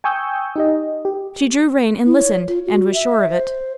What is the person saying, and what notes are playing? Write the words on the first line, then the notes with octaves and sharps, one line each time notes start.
She drew rein and listened, and was sure of it.
G5 G#5 C#6 D#6 E6 G6
D#4 G4 D#5
G4
E4
C#5
F4
F#4
E5
C5